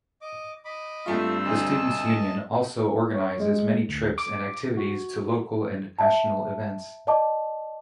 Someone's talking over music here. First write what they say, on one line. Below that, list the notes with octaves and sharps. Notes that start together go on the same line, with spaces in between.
The Students' Union also organises many trips and activities to local and national events.
D#5 D6
D#5 B5 D6
G2 A3 C4 F4 E6
D2 D#5 A5
C#5
G#3
D2
D6
F#4
E5 A5
D5 D#5 A5 D6